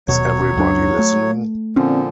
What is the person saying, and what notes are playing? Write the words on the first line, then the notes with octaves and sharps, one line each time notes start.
Is Everybody Listening?
D#1 B2 F#3 C#5
C#2 F#2 D4
A3
A#2 D3 F3 C4 C#4